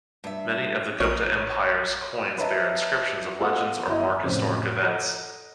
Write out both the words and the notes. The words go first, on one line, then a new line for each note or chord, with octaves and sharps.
Many of the Gupta Empire's coins bear inscriptions of legends or mark historic events.
G2 E5
A#1 A#4 C#5 D#5
B4 C#5 D#5 E5 A5 A#5
B3 F4 A4 B4 F#5
G1 E4 D#5
F1 F2 A2 C#3 C#4 C5
A4 D#5 F#5 A#5